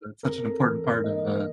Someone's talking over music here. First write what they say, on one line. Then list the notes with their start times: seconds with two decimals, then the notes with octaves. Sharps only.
that's such an important part of, uh
0.23 C4 A#4
0.43 A4
0.64 E3
0.84 A#4
1.04 A#3 D#5